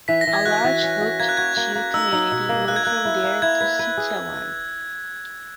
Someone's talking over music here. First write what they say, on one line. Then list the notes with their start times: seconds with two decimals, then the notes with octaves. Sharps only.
A large Hock Chew community moved from there to Sitiawan.
0.08 E3 B6
0.21 A#6
0.27 E3
0.33 G#6
0.46 F#4 F#6
0.64 E3
0.83 C#4
1.01 F#4
1.20 A#3 G#6
1.29 F#6
1.37 F#4 G#6
1.57 A#3
1.75 A#3
1.94 D#4 E6
2.13 D#4
2.32 B2
2.49 A#3
2.68 A#3 F#6
2.76 G#6
2.85 A#3 F#6
3.05 E4
3.24 A#3
3.42 E4 G#6
3.61 B4 G#6
3.79 B4
3.97 G#4